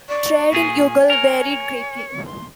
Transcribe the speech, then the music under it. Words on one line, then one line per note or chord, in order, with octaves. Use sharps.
Trade in Youghal varied greatly.
D5 C#6
A#2 G#4 G#5
A#4 C#5
C6